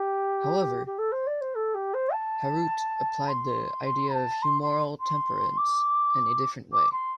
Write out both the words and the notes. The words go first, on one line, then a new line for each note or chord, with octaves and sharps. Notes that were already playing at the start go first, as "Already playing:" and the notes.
However, Huarte applied the idea of humoral temperaments in a different way.
Already playing: G4
G4
A4
C5
D5
C5
A4
G4
C5
A5
C6
C6
A5
C6
C6
C6
D6
D6
C6